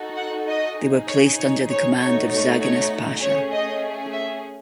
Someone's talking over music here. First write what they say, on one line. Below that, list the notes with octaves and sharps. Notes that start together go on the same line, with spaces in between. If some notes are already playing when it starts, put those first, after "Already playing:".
They were placed under the command of Zaganos Pasha.
Already playing: D#4 F#4 A4
F#5
D#5
D#4 G#4
C#5
C#5
C#5
A3 D#4 F#4 A4 C#5
C#5
C#5
A3 C#4 G#4 C#5
D#5
E5